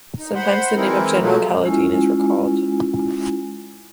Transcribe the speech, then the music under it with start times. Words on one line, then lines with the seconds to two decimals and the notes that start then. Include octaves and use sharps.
Sometimes the name of General Kaledin is recalled.
0.18 D#4
0.35 C5 F#5 B5 C6
0.76 E3 G#3 C4 D#4 E4 A#4
1.20 B2 F3 F#3 G#3 A3
1.65 G#3 C#4 E4 F4 G#5